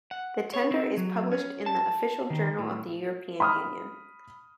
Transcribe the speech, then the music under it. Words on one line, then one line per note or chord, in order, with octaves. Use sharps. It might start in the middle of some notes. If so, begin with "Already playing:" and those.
The tender is published in the "Official Journal of the European Union".
F#5
C#5
C4
F#3
C#4
A5
D#3
A2
B5 D#6 F6